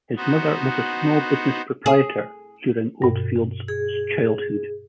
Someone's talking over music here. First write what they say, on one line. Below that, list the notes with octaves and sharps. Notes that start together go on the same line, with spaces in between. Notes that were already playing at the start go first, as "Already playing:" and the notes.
His mother was a small business proprietor during Oldfield's childhood.
B3 D#4 F#4 C5
G#4
G2 B2
G#4